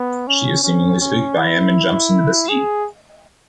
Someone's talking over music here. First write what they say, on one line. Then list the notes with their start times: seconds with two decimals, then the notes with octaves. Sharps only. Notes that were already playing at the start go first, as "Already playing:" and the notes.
She is seemingly spooked by him and jumps into the sea.
Already playing: B3
0.27 C#4
0.63 C#4
1.01 C#4
1.38 E4
2.49 G#4